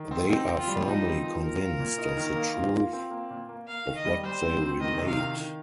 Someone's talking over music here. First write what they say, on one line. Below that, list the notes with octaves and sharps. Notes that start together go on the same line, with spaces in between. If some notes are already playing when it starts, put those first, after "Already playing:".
They are firmly convinced of the truth of what they relate.
Already playing: D#3
C4
C4 D#4
C4
F4
G3
F3 D#4
C4
F3
C4 A#4
F4
A#2
D#4
D#3
A#3
F4
F4
C4
A#3
A#2
A#3
A#3 F5
D#3
D#5
G3
G3 C5
C4
C4
D#3 D#5
C3
F5
D#3
D#3